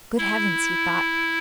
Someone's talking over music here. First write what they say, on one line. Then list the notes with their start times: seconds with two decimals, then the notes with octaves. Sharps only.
"Good heavens!" he thought.
0.18 E4